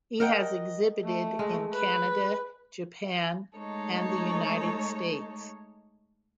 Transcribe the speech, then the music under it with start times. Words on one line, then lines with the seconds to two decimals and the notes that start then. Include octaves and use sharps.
He has exhibited in Canada, Japan, and the United States.
0.20 A#4 D#5 F#5 G5
1.04 A3
1.39 G#3
1.73 B4
3.56 G#3 A3 D#4 A4 C#5